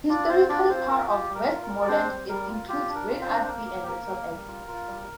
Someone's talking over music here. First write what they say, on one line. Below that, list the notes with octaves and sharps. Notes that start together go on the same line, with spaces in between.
Historically part of Westmorland, it includes Great Asby and Little Asby.
D4 F4 D5
C4 F4 C5
D4 F4 D5
D5
C4 F4 C5
F4 A#4
F4 G4
G3
A#4
F4
A#4
G3
D5
C4 D4 C5
G3
G3 A#4
F4
F4 G4
D4
A#4
F4
C4 C5
D4
C5
A#3 A#4
A#3
G4
A#3 A#4
A#3
G3
F4
F4
G3